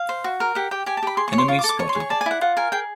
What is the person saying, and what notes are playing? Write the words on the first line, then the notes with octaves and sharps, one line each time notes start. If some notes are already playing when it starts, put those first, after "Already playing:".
Enemy spotted!
Already playing: F5
C5
F#4
A#4
G4 F#5
G4 G5
G4 G#5
A5
G4 B5
G#4 C6
C#6
C#5
C6
F4 C#6
D6
A4
D6
C#5 C#6
C6
G#4
C#6
D5 A5
G#5
E4 F#5
F4 F#5
A#4 G#5
G#4 G5